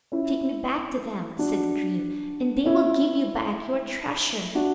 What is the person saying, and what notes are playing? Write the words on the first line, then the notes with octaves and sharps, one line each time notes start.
"Take me back to them," said the dream, "and they will give you back your treasure."
C#4 E4
D4 F#4
C#4 E4
D4 F#4